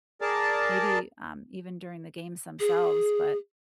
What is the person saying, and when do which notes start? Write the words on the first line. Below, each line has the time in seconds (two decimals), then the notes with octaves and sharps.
maybe, um, even during the games themselves, but
0.21 G#4 A#4 D5 A5
2.60 G#4